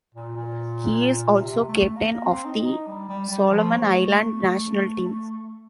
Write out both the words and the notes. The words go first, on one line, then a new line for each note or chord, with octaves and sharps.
He is also captain of the Solomon Island national team.
A#2
A#2
C3
A3
A#3
C4
D#4
D#4
G3
G3
G3
F3
A3